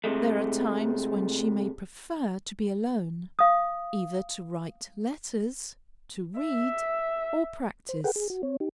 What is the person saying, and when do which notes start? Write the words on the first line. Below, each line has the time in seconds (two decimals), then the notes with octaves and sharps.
There are times when she may prefer to be alone, either to write letters, to read, or practice.
0.04 C3 G#3 A3
3.39 F5 D#6
6.40 E5
7.89 C5
8.04 G#4 A4 B4 F#5 G5
8.16 G#4
8.30 F#4
8.43 C4 C#5
8.60 D#4 G4